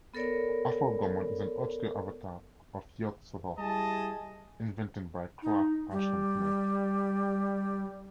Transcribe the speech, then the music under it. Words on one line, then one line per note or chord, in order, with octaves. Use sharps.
Aforgomon is an obscure avatar of Yog-Sothoth invented by Clark Ashton Smith.
B3 A4 A#4 C#5 D5
G3 E4 G#4 D#5 A5
D#4
G3